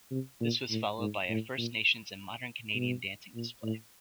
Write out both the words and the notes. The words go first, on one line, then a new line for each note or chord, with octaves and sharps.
This was followed by a First Nations and modern Canadian dancing display.
C3
A#2
A2
G#2
A2
A#2
B2
A#2
A2